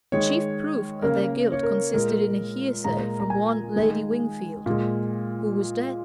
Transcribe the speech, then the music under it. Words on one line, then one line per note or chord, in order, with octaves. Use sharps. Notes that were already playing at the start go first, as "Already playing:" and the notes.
The chief proof of their guilt consisted in a hearsay from one Lady Wingfield, who was dead.
D#3 G#3 C#5
C#3 A#3 A#4
C#5
A#4
A#2 G#3 A#4
A#2 G#3 A#5
A#5
G#5
D#3 G#3
A#2 G#3